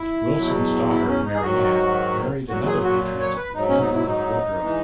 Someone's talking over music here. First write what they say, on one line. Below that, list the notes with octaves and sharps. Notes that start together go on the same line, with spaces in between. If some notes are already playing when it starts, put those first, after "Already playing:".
Wilson's daughter, Mary Ann, married another patriot, Andrew Wodrow.
Already playing: E4
E2 B2 F#3
E4
C#4
D#4
G#4
G#2 D#3 F#3 F#4
A#2 F#3 F#4
G#4
F#4
C#5
B4
G#2 F#3 D#4
C#4
D#4
E4
D#4
E3 G#3